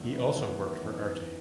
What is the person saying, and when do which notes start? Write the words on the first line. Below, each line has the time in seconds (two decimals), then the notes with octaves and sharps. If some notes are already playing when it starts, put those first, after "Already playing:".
He also worked for Arte.
Already playing: E2 D#3 F#3 A3 E4
0.12 B4
0.35 E2 D#3 F#3 A3 E4 C#5
0.59 B4
0.82 F#2 E3 B3 D#4